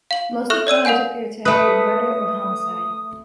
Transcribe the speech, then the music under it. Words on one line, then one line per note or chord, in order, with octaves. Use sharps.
Most of the crimes appear to have been murder or homicide.
F5 F#7
A4 E5 C#6 F6 F#6
C#5 D5 E6 D#7
A#4 F5 F#5 G#5 G6
A3 B4 D#6